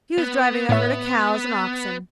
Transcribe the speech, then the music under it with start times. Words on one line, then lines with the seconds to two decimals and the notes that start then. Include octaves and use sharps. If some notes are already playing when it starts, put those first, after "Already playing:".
He was driving a herd of cows and oxen.
0.18 B3
0.69 A2 B3 C#5 E5